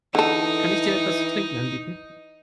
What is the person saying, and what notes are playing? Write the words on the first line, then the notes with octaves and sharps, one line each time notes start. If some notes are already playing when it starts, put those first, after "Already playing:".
Kann ich dir etwas zu trinken anbieten?
D3 E3 D#4 A4